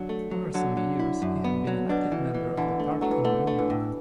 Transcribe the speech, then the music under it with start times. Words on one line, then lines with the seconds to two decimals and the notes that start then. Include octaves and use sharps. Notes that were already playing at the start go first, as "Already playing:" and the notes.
Over some years, he had been an active member of the party in New York.
Already playing: D3 F#3
0.09 A3
0.31 F#3
0.54 D3 F#3
0.77 F#3
0.99 E4
1.22 F#2
1.44 B3
1.67 F#3
1.89 B2 D4
2.12 E3
2.34 E3
2.57 D3 E3
2.80 A3
2.91 E3
3.01 F#3 A3
3.11 E3
3.24 D3 A3
3.47 A3
3.59 E3
3.70 A2